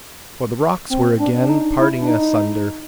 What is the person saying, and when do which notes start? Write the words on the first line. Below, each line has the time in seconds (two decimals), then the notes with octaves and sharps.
For the rocks were again parting asunder.
0.90 C4
1.19 D4
1.40 D4
1.49 D#4
1.79 E4
2.02 D4
2.08 D#4